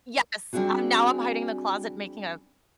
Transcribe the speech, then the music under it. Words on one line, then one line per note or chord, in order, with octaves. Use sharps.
Yes, I'm now I'm hiding in the closet making a
G3 C4 D4 E4 F#4 G#4